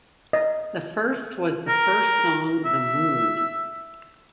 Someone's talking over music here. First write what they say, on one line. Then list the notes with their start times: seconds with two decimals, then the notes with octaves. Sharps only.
The first was the first song The Moon.
0.33 D#5
1.68 A#4
2.65 E5